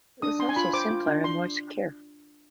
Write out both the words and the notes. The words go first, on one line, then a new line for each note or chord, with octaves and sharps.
It was also simpler and more secure.
D4 D#6
D4 C6
G#5
F4 B5
C5 D6
F4
D4
C6